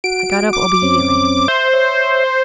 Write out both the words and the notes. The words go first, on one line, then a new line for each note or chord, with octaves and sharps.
I got up obediently.
F#4 D7
D6
F#2 C4 C#4
C5 E5
C#5 E5